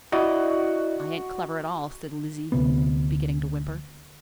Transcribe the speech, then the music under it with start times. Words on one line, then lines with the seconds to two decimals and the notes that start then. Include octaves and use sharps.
"I ain't clever at all," said Lizzie, beginning to whimper.
0.12 E4 F#4 D5 D#5
2.52 D2 C3 B3